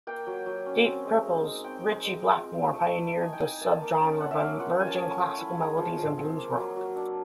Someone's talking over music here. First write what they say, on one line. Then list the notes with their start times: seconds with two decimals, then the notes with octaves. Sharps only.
Deep Purple's Ritchie Blackmore pioneered the subgenre by merging classical melodies and blues rock.
0.07 A#3 G5
0.27 F#3
0.46 F#3
0.66 C#4
0.85 C4
1.05 G#3
1.25 G#3
1.45 D#4
1.64 C4 G5
1.84 G#3
2.04 G#3
2.23 F4
2.43 C4
2.63 A3
2.82 A3
3.02 E4
3.22 D#4 G#5
3.33 G5
3.41 D#4 G#5
3.61 A#3 A5
3.81 A#3
4.00 C#4 A5
4.20 A#3 F#5
4.31 E5
4.40 A#3 F5
4.59 F4 F#5
4.79 C#4 G#5
4.87 A5
4.95 A3 G#5
5.19 A3
5.38 E4
5.58 G#3
5.77 F3
5.97 F3
6.18 C4
6.36 A#3
6.56 F#3
6.76 F#3
6.96 D4